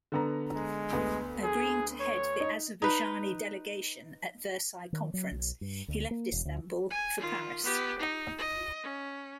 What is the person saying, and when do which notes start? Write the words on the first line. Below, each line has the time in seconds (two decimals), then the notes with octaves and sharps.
Agreeing to head the Azerbaijani Delegation at Versailles Conference, he left Istanbul for Paris.
0.12 D3 B3 A#5
0.55 G#3
0.93 D2 B3
1.44 G#4
2.00 C#5
2.40 D#4
2.82 D#4 B4
4.93 D#3
5.14 F#3
5.31 B1
5.61 G2
5.88 D2
6.11 A#3
6.32 E1
6.45 D2
6.90 G#5
7.20 D#3 F4
7.63 B3 G4
7.99 D#4
8.39 D#5
8.83 C#4